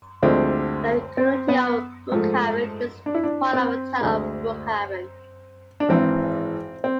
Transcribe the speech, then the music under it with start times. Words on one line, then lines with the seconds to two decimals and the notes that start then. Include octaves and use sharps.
The community of Brookhaven is part of the Town of Brookhaven.
0.23 D2 D3 F3 G#3 C4
1.17 C4
1.48 B3
2.12 G#2 F3 A3
3.06 D4
3.14 E4
3.24 D4
3.53 C4
4.01 D2 D3 G#3
5.80 D4
5.89 G#1 G#2 E3 C4
6.84 C4